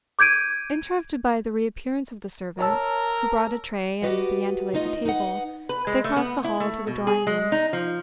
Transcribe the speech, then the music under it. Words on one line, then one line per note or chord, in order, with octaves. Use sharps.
Interrupted by the reappearance of the servant, who brought a tray and began to lay the table, they crossed the hall to the drawing-room.
D6 G6 G#6 D7 D#7
A#4 C#5 A5 E6
F#4 G4 B4 D5 D#5 F#5
A3 B3 D#4 F4 D#5
D#4 B4 D#5 F#5
B4
G#3
A3
B3
E4
A3
B2
G#4
G#3
D#4
F3